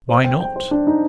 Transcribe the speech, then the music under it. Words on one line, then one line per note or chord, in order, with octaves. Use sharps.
"Why not?"
C5
G5
G5
C5
D4
D#4